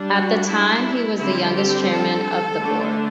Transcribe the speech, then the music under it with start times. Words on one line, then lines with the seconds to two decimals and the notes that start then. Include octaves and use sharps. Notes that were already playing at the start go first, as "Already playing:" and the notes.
At the time he was the youngest chairman of the Board.
Already playing: G3 D4
0.10 F#4
0.46 E4
1.17 D3 G3 C4 E4
1.53 G4
1.89 A4
2.60 D3 A3 D4